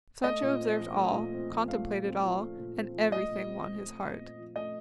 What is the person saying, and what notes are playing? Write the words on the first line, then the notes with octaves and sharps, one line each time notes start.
Sancho observed all, contemplated all, and everything won his heart.
A3 D#5
A#2
C4
F3
A3
A#2
C4
F3
A3 F5
A#2
C4
F3
A3
A#2
C4
F3
A3 D#5
A#2
C4
F3
A3
A#2
C4
F3
A3 D#5